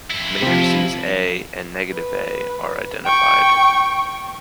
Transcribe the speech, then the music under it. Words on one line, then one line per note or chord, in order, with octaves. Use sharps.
The matrices "A" and "-A" are identified.
F2 E4
C3 F3
B4
G5 C#6